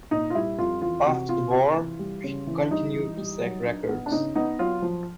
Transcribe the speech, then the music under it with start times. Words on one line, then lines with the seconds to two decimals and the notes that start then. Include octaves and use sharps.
After the war, she continued to set records.
0.11 A#2 D#4
0.30 F4
0.35 G3 E4
0.59 F2 F4
0.82 E3 F4
1.05 C3 F#4
1.29 C3 F4
1.53 C3
1.76 E3
1.99 G3
2.24 C#3
2.47 E3
2.61 D4
2.71 G3 D#4
2.94 E3
3.17 G3
3.41 F#3
3.65 D4
3.89 B3
4.06 D4
4.12 C#3 D#4
4.36 B3 D#4
4.59 F#3 F4
4.82 F3